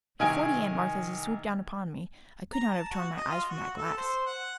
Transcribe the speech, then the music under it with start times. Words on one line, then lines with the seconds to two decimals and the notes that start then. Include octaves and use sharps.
If forty Aunt Marthas had swooped down upon me, I could not have torn my eyes from that glass.
0.19 C2 D#3 D#5 G#5 G#6 D7
2.53 A#5
2.71 A5
2.91 F#4
3.17 D#5
3.30 F4
3.49 F#4
3.77 A4
3.97 C5
4.26 F#5